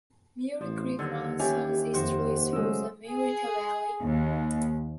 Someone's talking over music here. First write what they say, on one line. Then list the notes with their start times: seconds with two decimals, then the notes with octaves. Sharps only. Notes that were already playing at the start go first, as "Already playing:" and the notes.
Murrieta Creek runs southeasterly through the Murrieta Valley.
0.61 A1 F3
0.99 D#2 D3 F#3
1.39 E3 C#4 D4 G4 C#5 G#5
1.94 F2 D#3 F#4 C5
2.53 C#3 F#3 G#3 A3 E6
3.09 G#4
4.03 D#2